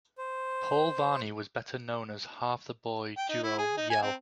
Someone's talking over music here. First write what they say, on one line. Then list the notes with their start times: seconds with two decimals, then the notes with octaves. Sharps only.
Paul Varney was better known as half the boy duo Yell!
0.18 C5
3.18 G5
3.29 D#4
3.44 E4
3.58 G#4
3.77 D#4
3.90 G#5
4.02 C4